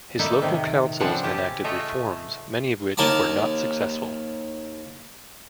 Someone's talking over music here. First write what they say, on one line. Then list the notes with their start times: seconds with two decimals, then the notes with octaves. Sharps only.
His local councils enacted reforms, many of which were not successful.
0.19 A#3 D#4 E4 A4 D5 E5
0.40 A2 C3 D#3
1.00 C#3 F3 C4 D4 E4 F#5
1.23 C#4 G4 A5
1.64 A3 F4 C#5 D#5 E5
2.97 D#2 A#4 A5 D6